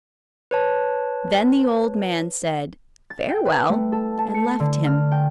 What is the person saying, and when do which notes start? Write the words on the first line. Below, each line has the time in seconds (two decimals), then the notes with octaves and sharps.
Then the old man said "Farewell," and left him.
0.51 B4 C#5 A5
3.10 A6
3.29 G5
3.45 B4
3.69 A3
3.92 A4
4.18 A5
4.34 C#7
4.60 D3
4.86 F6
5.11 G5